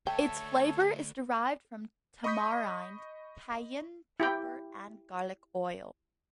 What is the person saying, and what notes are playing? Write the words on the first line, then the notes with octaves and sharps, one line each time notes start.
Its flavour is derived from tamarind, cayenne pepper and garlic oil.
D2 A4 C#5 E5 G5 A5
D#5 B5 C#6 D#6 G6 B6
E4 G4 G5